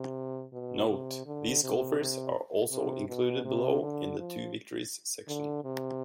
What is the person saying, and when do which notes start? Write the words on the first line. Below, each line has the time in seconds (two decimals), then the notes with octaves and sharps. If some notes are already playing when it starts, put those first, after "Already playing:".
Note: These golfers are also included below in the "Two victories" section.
Already playing: C3
0.53 B2
0.89 C3
1.26 D3
1.63 C3
2.00 C3
2.71 C3
3.08 B2
3.45 C3
3.81 D3
4.19 F3
5.28 D3
5.64 C3